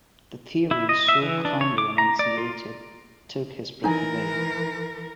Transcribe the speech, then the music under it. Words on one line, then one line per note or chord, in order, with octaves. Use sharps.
The theory so calmly enunciated took his breath away.
E4
D#5
E5
E3
D4
C#5
D6
A#5
D5
F4
E3 D#4 A#4 G#5